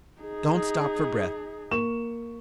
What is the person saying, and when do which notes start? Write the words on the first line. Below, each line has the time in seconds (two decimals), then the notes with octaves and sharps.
Don’t stop for breath.
0.21 D#4 G#4
1.71 A#3 C#6 E7